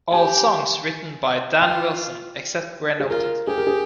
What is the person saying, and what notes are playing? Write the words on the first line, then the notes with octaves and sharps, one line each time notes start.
All songs written by Dan Wilson, except where noted.
G4 G#5
F4 G5
G#4
F4 A#4
G4 G#4
A#4
G#4